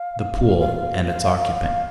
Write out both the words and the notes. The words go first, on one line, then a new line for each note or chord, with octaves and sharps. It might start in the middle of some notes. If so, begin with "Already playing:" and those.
The pool--and its occupant.
Already playing: F5
F5
F5
F5
F5
F5